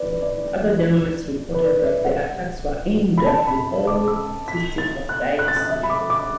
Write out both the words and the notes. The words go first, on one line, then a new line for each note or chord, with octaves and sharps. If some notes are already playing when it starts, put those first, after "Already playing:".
Other journalists reported that the attacks were "aimed at the whole system of dikes".
Already playing: B4 D5
D5
B4
D5
E5
F#5
B5
A5
B5
B5
D6
E6
B6
A6
F#6
F#6
A6
F#6
E5
B5
D6
D6